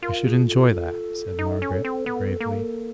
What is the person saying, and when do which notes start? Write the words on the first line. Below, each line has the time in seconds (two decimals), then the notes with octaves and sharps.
"I should enjoy that," said Margaret bravely.
0.02 F4 A#4
0.25 G#4
0.48 A4
0.71 A4
1.39 D#4
1.62 C#4
1.85 C4
2.06 B3
2.41 A#3